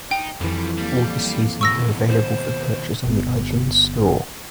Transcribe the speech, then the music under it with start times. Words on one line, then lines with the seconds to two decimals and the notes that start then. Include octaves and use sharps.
All the seasons are available for purchase on the iTunes Store.
0.11 D#4 G5
0.40 F2 E3 F3 G3
0.77 G3 A#3
1.61 D#2 B2 C#6 E6 A#6
2.09 C5
3.06 G1 B3